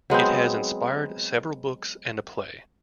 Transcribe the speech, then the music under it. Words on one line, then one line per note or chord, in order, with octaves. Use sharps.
It has inspired several books and a play.
F#3 G#3 B3 C4